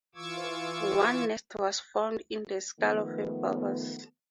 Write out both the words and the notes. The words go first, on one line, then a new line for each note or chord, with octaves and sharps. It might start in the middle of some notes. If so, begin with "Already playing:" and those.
One nest was found in the skull of a walrus.
E3 F4 C#6 D6 E6 G#6
D#3 F3 A3 B3